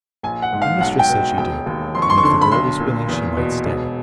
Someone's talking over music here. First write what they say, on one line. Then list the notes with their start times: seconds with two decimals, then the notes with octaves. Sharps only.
The mistress said she did, and if the girl was willing she might stay.
0.23 A#1 G#5
0.42 F#5
0.53 G#2
0.62 F5
0.81 B1 F#5
0.99 G5
1.09 B2
1.37 E1 G5
1.66 D#2
1.95 F2 C6
2.02 C#6
2.10 C6
2.18 C#6
2.23 D3 C6
2.41 B5
2.52 B1 C6
2.80 A#2
3.09 E2
3.37 B2
3.66 E1